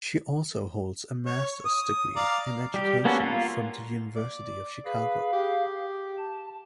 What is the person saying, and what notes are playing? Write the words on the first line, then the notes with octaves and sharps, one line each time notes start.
She also holds a master's degree in education from the University of Chicago.
C#5
D#6
D5 F5 A#5
G3 G4
A#3 B3 C#4 F#4 A4
A#3 F4
D5
G#4 B4 F5
G4
A5